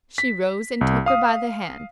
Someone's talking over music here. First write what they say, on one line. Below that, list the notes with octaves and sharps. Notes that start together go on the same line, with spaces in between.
She rose and took her by the hand.
B6
C2
F5 D#6